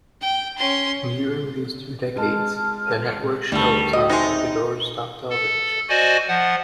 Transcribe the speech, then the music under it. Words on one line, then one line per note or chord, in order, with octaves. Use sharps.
During these two decades the network showed some of Ecuador's top television shows.
G5
C#4 C6
G#3 A5 F6
D2 D#3 G3 G4 A4 A5 B5 C#6
F#4 A4 D#5 G5
C3 G#3 D#4
A4
F#4 C5 D5 D#5 G#5
F3 F#5